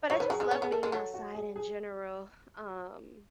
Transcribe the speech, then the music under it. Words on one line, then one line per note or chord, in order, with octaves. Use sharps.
but, I just love being outside in general, um
F#3 C#5
D#3 B4
F#3 G#4
G#3 G#4
B3 C#5
B3 G#4
A3 A4
G#3 A4
F#3 A4
F#4
G#4
G#4